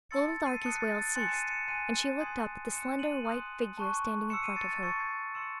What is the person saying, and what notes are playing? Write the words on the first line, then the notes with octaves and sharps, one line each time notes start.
The little darky's wails ceased, and she looked up at the slender white figure standing in front of her.
A5 C6 E6 A6 C#7
A6
C7 D#7
A5 D#6 F#6 C#7
C7
A6
A6
G#5 C6 F#6 A6 C#7
E7
C7 D#7
C#7 E7
G#5 C6 F#6 C7 D#7
G#5 C6 D#6 F#6 G#6 C7
C6 F#6 C#7 E7
D#7 F#7
C6 D#6 F#6
A5 C#6 F#6
C6 E6 C#7 E7
C7 D#7
A6 C#7
A6 C#7
A5 C#6 E6 A6 C#7
G#6 C7
C6 E6 C#7 E7